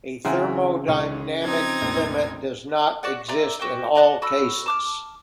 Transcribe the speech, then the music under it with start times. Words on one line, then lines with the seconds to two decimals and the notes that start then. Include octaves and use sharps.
A thermodynamic limit does not exist in all cases.
0.25 C#3 E3 C4 E5 F#5 A#5
0.88 C#2 D#4 C#5 D#7
1.42 F3 C4 D#4 G#6
1.81 F1 A#1
3.03 F#4 D5 F#5
3.28 D5 E5 A#5 C6
3.59 F#4 G4 G5
3.95 D5 D#5 F#5 A5
4.22 F#4 A4 B5 E6
4.66 A5 D6 F6